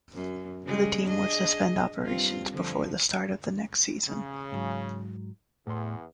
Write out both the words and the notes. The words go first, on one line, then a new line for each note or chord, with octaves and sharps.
The team would suspend operations before the start of the next season.
F#2
C#3 G3 G#3
D4 G#4 D#5
G2 C4 F4
D3 F3
C#3
G#2 F#3
E2 A2 C6